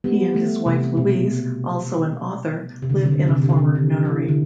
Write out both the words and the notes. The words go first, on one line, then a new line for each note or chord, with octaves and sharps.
He and his wife Louise, also an author, live in a former nunnery.
G3 B3
A3
C3
B2
C3
D3
C3
D3
C3
D3
C3
D3
C3
D3
C3
D3
E3
D3